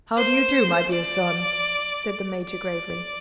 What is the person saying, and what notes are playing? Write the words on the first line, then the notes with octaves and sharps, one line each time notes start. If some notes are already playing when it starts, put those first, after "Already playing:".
"How do you do, my dear son?" said the major gravely.
C5
D5
D5